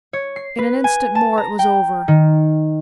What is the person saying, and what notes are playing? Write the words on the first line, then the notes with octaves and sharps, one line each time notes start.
In an instant more it was over.
C#5
C7
B4
G#5
A5
A#5
G5
D#3